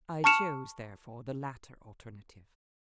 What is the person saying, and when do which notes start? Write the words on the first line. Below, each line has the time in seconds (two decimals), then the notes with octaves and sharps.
I chose, therefore, the latter alternative.
0.24 A5 C#6 F6 C#7 E7 F7